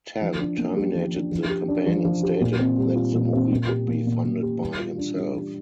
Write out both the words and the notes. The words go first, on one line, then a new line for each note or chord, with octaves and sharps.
Tan terminated the campaign and stated that the movie would be funded by himself.
F3
D4
A#3
G4
F3
D4
F3
G4
D4
F3
F3
G4
A#2
C4
G3
F4
A#2
C4
A#2
G4
A#3
A#2
A#2
G4
G3
F4
D4
G3
G3